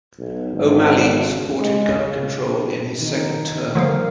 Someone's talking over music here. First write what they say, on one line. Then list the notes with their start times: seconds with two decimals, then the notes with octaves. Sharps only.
O'Malley supported gun control in his second term.
0.19 B1
0.53 G#1
1.61 G#3
1.93 C#3
2.98 B2 D#3 D#4
3.75 D3 F3 G3 A#3 A#4 F5